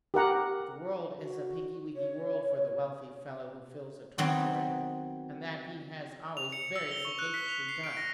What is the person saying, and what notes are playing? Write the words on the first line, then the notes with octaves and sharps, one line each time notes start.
But the world is a piggy-wiggy world for the wealthy fellow who fills a trough for it, and that he has always very sagaciously done.
G4 A#4 F#5 A#5
F#4
C#5
D#3 F#3 B3 C4
F7
C#7
E6
G7
C#6
F#6
B6
F7
C7
D7
A#6